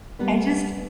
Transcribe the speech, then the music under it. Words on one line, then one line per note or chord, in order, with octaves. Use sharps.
I just
G3 A#3 B3 A#4 B4